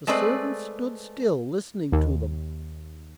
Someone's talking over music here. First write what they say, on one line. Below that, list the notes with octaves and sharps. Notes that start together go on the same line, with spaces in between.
The servant stood still listening to them.
G#3 A3 C4 B4 D5
D#2